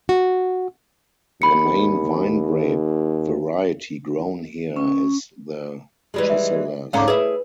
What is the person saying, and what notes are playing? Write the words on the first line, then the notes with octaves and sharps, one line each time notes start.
The main wine grape variety grown here is the Chasselas.
F#4
D#2 B5 C#7
C#4
E3 G3 G#3
E5
G#2 D3 C#4 F5 A#5 D6
E4 G#4 B4